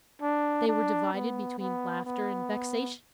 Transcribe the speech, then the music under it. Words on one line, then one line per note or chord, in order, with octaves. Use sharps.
They were divided between laughter and vexation.
D4
D4
B3
B3
B3